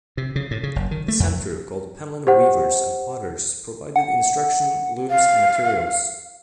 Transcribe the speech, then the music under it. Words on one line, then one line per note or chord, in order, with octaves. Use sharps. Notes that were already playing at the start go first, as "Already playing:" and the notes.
The center, called Penland Weavers and Potters, provided instruction, looms, and materials.
C3
C#3
A2
C#3
F#1
D#3
A3
F2
G4 C5 F#5
F#5
F5